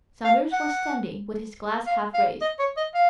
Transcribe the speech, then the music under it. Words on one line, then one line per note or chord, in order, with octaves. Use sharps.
Saunders was standing with his glass half raised.
F5
F#5
F5
F5
D#5
C#5
D#5
F5